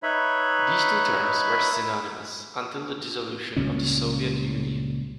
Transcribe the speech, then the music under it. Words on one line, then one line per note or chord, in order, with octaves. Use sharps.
These two terms were synonymous until the dissolution of the Soviet Union.
D#4 B4 C#5 E5 B5
C#2 A#2 G3 C#4